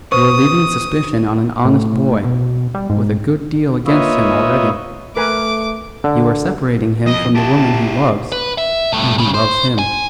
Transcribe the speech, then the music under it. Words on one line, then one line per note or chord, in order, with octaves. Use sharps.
You are leaving suspicion on an honest boy with a good deal against him already; you are separating him from the woman he loves and who loves him.
B4 C5 C#6 D#6
A2
B2
G3
G#2
A#3 F4 B4 C#5 D#5 E5
A3 A#4 B4 G#5 D6
D3
F2 D#5
E4 G4 A5
B4
E5
G2 A3
C#3 G3
C5
G#5